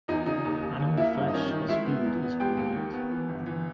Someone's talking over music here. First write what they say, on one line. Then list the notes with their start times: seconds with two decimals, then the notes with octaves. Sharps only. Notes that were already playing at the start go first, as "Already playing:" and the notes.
Animal flesh, as food, is called meat.
0.08 E2 D#4 D#5
0.26 C#3 D#4 D#5
0.45 D#2
0.63 D#2
0.80 D#2
0.97 A#3 E4 E5
1.15 G2
1.28 D#5
1.34 D#3 C#4 C#5
1.51 D#3
1.68 G#3 E4 E5
1.86 B3
2.05 E2
2.22 B3
2.40 G#3 G4 G5
2.57 D#2
2.76 D#3
2.93 B3
3.11 E3
3.29 G1
3.46 E3